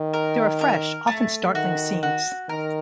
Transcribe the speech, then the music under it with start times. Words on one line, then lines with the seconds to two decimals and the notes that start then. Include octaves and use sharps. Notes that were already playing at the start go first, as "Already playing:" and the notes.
There are fresh, often startling scenes.
Already playing: D#3
0.13 A#4
0.61 A#4
1.07 A3
1.54 D#3 F#4
2.03 F#4
2.49 D#3 A#4